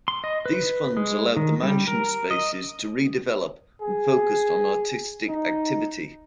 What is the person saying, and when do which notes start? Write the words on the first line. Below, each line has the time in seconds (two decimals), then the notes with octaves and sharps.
These funds allowed the Mansion spaces to re-develop and focus on artistic activity.
0.08 C6
0.24 D#5
0.46 B4
0.97 G#3
1.37 D#3
1.63 G3
1.87 A#4
2.31 D#5
3.82 G#4
5.29 D#4